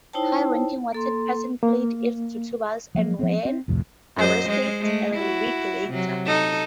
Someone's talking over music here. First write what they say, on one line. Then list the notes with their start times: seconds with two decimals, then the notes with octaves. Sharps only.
High-ranking wanted persons fled east to Tubas, and were arrested a week later.
0.13 D#4 E4 C5 C#5 G5 A5
0.92 A#3 A4 C6
1.63 A#3
2.95 F3 F#3 A#3
3.19 F3 B3 C4
3.45 C4
3.68 C2 F2 A2 C3
4.17 F#2 C5 D#5
4.48 G#3 C5
4.81 G#3 A3
5.14 E4 F#4
5.89 C3 F#3
6.26 D#4 A4